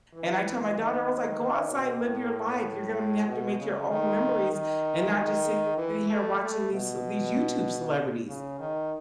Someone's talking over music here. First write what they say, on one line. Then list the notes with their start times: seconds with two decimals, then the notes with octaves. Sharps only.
And I tell my daughter, I was like, "Go outside, live your life, you're gonna have to make your own memories and not just sitting here watching these ce these YouTube celebrities."
0.14 E3
0.77 D#3
1.39 D#3
1.70 B2
2.01 A2
3.27 B2
3.59 C#3
3.90 D#3
4.52 D#3
5.14 D#3
5.77 E3
6.10 A3
6.40 A3
6.72 B2
8.29 C#3
8.59 D#3